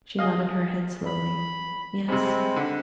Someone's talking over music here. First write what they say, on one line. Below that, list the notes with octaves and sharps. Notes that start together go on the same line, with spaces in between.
She nodded her head slowly: "Yes."
G#4 D#5 F5
B5
F2 C3 G#3 C4 B5
D3